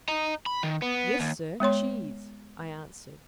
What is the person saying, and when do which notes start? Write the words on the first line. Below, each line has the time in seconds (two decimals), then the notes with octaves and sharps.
"Yes, sir, cheese," I answered.
0.08 D#5 A#5
0.46 B5
0.63 D#3
0.82 B3
1.20 D#2
1.60 G#3 B3 C#5 C6